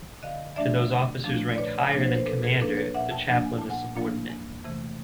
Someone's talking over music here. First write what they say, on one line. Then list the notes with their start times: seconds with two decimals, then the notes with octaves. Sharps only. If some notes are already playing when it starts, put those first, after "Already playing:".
To those officers ranked higher than commander, the chaplain is subordinate.
0.23 D3 D#5 F5
0.56 F3 A3 D4 D5 E5
0.91 D3
1.24 F3 A3 D4
1.54 D5
1.58 A#2 B4 C#5
1.92 F3 A#3 D4 C#5
2.00 C5
2.07 B4
2.15 A#4 C5
2.26 A#2 A4 B4
2.39 B4
2.43 G#4 A#4
2.60 F3 A#3 D4 A4 B4
2.77 B4 C#5
2.94 A#2 E5 F#5
3.11 G5 A5
3.28 F3 A#3 D4 F#5 G#5
3.45 G#5
3.58 A#2 A5
3.70 F#5 G#5
3.96 F3 A#3 D4
4.29 E2
4.64 C3 E3 A3